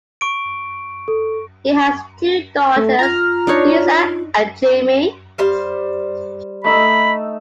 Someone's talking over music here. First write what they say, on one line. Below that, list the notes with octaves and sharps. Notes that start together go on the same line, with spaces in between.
He has two daughters, Lisa and Jamie.
C#6 D7
A4
A3
F4 A#5 F6
D4 D#4 C#5
G3 C5 F5
A3 D#4 E5 B5